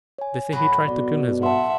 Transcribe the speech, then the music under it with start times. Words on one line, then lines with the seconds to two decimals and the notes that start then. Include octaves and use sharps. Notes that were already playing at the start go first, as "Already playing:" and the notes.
"They say he tried to kill his wife."
0.18 C#5 G#5
0.52 A2 F#3 B4
0.88 B2 D5
1.43 E5 F#5 A5 C6